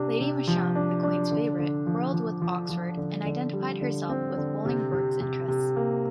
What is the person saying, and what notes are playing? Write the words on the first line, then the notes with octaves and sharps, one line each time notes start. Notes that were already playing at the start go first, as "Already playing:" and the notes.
Lady Masham, the queen's favourite, quarrelled with Oxford and identified herself with Bolingbroke's interests.
Already playing: C3 D4
C3
F3
D4
D4
D3
D3
F3
F3
F3
F3
D3
D3
G3
D3
C4
D3
C3
C3
C3
C3
A#3